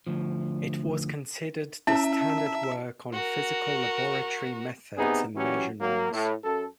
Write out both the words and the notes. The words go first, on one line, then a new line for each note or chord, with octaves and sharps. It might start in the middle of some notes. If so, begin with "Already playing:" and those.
It was considered the standard work on physical laboratory methods and measurements.
D2 F3
C#4 E4 E5 A5 A#5
F#4 A#4
C3 B3 D#4 G#4
E3 F#3 C#4 G4
F#3 A#3
A2
F#2 A4